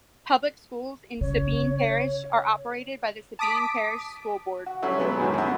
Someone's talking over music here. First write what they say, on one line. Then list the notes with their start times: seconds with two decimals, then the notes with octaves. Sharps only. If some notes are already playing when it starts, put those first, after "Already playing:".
Public schools in Sabine Parish are operated by the Sabine Parish School Board.
1.21 C#3 C#5
3.39 A5 D6 D#6 B6 D7
4.66 F#4
4.82 F#3 G3 A3 C#4 E4
4.98 F#3 G#3 B3 F#4 B4
5.19 F#2 A2 D#3 F#3 G#3
5.34 F#2 B3